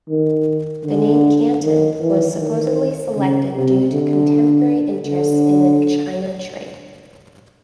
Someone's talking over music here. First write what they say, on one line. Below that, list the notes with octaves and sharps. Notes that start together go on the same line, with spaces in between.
The name Canton was supposedly selected due to contemporary interests in the China trade.
D#3
D3
D#3
E3
D#3
C#3
C3
D3
D3